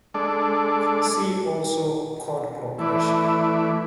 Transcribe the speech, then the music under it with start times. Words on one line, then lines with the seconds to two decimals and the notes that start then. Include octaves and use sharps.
See also Chord progression.
0.14 G#3 D4 A4 D5
2.78 E3 A3 E4 B4 D5